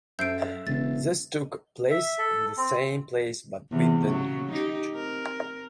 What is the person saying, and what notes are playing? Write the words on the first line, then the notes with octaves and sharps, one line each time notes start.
This took place in the same place but with a new judge.
F#2 A4 C5 E5 G6 C7 D7
E1 C#3 A6
E5
A4
C4
E2 C3
C#3 F#3
D#4 G4
C4 A#4